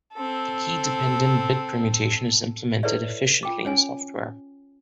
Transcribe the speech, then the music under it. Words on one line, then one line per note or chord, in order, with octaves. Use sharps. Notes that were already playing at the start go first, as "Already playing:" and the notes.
The key-dependent bit permutation is implemented efficiently in software.
C4 A4
E4 A4 B4 C#5 D5 E5
F4 G5 D6
C#4 C#5 G#5